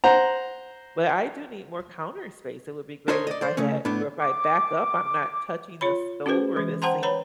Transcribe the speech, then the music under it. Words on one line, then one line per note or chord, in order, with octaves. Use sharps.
but I do need more counter space. It would be great if I had or if I back up, I'm not touching the stove, or the sink
C5 F#5 A#5
D4 A#4 C5 C#5 D#5
D5 D#5
C5 D5
C#3 A3 C#4
A2 B3 D4
D6
F4 C#5 B5
C#4 F#4 G#4 B4 C5
E3 G#3
C5 F#5 G5 A5 A#5 C6
B4 C#5 A#5 B5